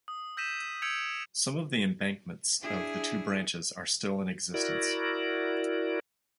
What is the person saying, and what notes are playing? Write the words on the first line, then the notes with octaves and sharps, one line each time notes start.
Some of the embankments of the two branches are still in existence.
D#6
E6 G6 A#6 B6 D#7 E7
E6 G6 G#6 C#7 D7 F7
D4 E4 G#4
E4 F#4 A#4 D5